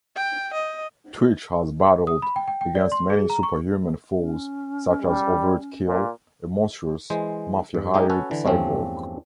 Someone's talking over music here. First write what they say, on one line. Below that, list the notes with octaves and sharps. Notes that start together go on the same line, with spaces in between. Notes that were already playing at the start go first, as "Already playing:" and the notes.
Twitch has battled against many super-human foes such as Overt-Kill, a monstrous, mafia-hired cyborg.
G5
D#5
D#6
B5
G5
G5
G5
D5
C6
G#4
A#5
C#6
C#4
G3
A#2
E3 G#3 C5
G2
G#3 D#4 G4
C#4 F#4 A4 B4 C#5
D3 E3
E2 G2 F3 A3 C4 C#4